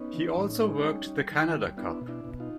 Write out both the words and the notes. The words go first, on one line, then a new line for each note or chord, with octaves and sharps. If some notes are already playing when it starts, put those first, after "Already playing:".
He also worked the Canada Cup.
Already playing: B3 C#4 D#4
E3
A2
G#3
G3
G3
D#3
G3
B3 D4 E4
B2
D4 E4
B2
D#4 F4